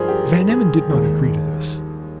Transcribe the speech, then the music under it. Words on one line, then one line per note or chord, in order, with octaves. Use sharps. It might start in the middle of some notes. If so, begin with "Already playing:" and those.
Van Emmon did not agree to this.
Already playing: G2 F3 G#4 A#4 C5
G4
G#4
D#2 D#3 G#3